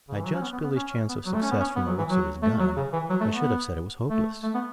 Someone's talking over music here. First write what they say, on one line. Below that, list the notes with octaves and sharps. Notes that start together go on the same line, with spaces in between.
Had I judged Billy's chance of success from the looks of his gun, I should have said it was hopeless.
C#3
E3
F#3
C#4
B3
B3
B3
C#4
B3
F#3
A3
C#4
B3
C#4
B3
F#3
E3
F#3
A3
F#3
C#3
E3
F#3
A3
B3
A3
A3
B3